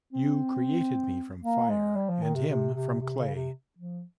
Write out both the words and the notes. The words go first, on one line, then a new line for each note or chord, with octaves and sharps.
You created me from fire and him from clay.
C4
A#3
G#3
G3
F3
D#3
C3
C3
C3
C3
C#3
C3
F3